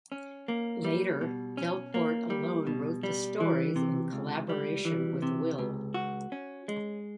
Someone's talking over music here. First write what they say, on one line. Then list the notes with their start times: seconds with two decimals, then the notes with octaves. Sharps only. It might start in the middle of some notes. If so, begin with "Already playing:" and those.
Later, Delporte alone wrote the stories in collaboration with Will.
0.12 C#4
0.48 A#3
0.84 G3
1.21 B2
1.57 C#4
1.94 A#3
2.30 G3
2.67 B2
3.03 G3
3.40 E3
3.76 C3
4.13 C#2
4.49 G3
4.85 E3
5.22 C3
5.58 C#2
5.94 F#4
6.32 C#4
6.68 G#3